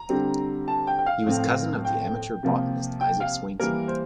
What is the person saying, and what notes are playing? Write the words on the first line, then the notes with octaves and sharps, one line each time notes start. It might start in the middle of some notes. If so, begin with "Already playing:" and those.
He was cousin of the amateur botanist Isaac Swainson.
Already playing: A#5
D3 G3 C4
A5
G5
G5
F5
A2 F3 C4
G5
C3 F3 A#3
G5
F5
E3 G3 A#3 A#4
C5